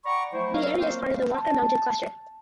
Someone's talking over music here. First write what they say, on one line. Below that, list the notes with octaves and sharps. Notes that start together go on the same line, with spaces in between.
The area is part of the Walker Mountain Cluster.
D5 F#5 G5 A#5 B5 C#6
F3 F#3 A3 E4 C5
F#3 C4 A#4 F5
A#3 C4 C5
A5